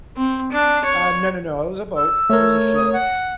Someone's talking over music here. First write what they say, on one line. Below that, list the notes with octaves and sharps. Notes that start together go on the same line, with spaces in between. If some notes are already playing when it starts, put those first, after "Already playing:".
Uh, no, no, no, it was a boat, it was a ship.
C4
D4
C#5
E6
A3 A#4 C#5
D#6
F#5